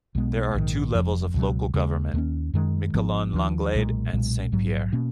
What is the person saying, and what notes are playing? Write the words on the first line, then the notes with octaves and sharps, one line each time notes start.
There are two levels of local government, Miquelon-Langlade and Saint-Pierre.
B1 B2 G#3 B3
A#1 G#2 D#3
F1 F2 F3
C#2 B2 F#3
D#2 C#3 G#3
D#2 D#3 A#3 C#4
F#2 D#3 G#3
G#1 G#2 F3 B3
D#2 C#3 F3
B1 A#2 G#3
B1 A#2 G#3
A#1 G#2 F#3
B2 A#3 C#4